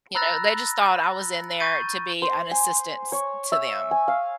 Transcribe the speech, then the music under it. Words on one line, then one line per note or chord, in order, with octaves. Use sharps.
You know, they just thought I was in there to be an assistance to them,
A#5 B5 E6 F#6 A6 A#6
C#6 G6 A6 D#7
C5
G#5
C#5
E5
G#5
F5